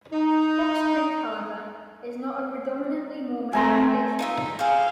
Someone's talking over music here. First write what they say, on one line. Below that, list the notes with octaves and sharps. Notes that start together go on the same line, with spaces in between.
Fox Creek, however, is not a predominantly Mormon population.
D#4
A3 C4 G#5 A#5 C6
D#4 F4 E5
G#4 C5 F5